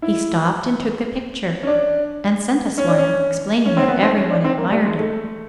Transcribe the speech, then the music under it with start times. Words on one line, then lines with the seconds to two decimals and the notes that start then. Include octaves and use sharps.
He stopped and took the picture and sent us one, explaining that every one admired it.
0.02 E4
1.63 C#4
1.67 D4
2.78 C#4
2.88 D4
2.98 C#4
3.66 C#4
3.77 C4
3.88 B3
4.03 C4
4.16 C#4
4.30 D4
4.44 C4
4.58 A#3
4.71 G3
4.86 G#3
4.99 A3